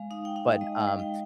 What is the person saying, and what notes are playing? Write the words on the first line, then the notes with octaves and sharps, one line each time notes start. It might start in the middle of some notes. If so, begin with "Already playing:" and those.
but, um.
Already playing: G#3 F5
D#4 F5
G5
D#4 F5
G#3 D#5
F5
G#3
G5